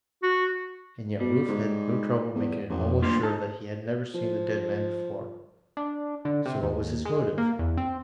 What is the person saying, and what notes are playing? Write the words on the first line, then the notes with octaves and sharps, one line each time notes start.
And yet Rufe had no trouble making it almost sure that he had never seen the dead man before--so what was his motive?
F#4
B2 G3
G#2
E2
A1 F2
D2 A#3 F4 G4
D#4 A5
F3
D4
D3
C3
D#2
G#3
A#3
E2
C4